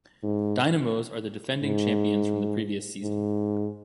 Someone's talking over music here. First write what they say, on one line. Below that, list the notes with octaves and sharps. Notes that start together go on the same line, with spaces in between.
Dynamos are the defending champions from the previous season.
G#2
G#2
G#2